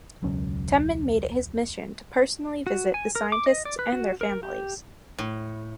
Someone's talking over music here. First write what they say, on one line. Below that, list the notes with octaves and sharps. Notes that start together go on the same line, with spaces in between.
Temin made it his mission to personally visit the scientists and their families.
E1 C#2 F#3 C#4
F#4
G#5
A#4
D6
D#5
D5
B4
F#4
A#4
G4
A2